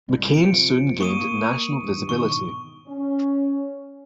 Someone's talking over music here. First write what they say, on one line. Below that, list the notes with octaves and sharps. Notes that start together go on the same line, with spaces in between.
McCain soon gained national visibility.
C2 G2
A#1 C3 F3 C#7 D7
A#3 C#6 D#6 D#7
D#1 G2
G#2 B2 D#3 C#6
C#4